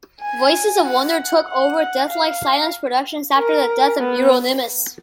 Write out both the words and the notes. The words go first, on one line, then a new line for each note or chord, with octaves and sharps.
Voices of Wonder took over Deathlike Silence Productions after the death of Euronymous.
G#5
F#5
F#5
F5
A#4
B3